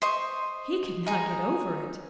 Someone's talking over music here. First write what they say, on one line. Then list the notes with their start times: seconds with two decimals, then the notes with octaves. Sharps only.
He could not get over it.
0.02 C5 D#5 C#6
1.06 D#4 G#4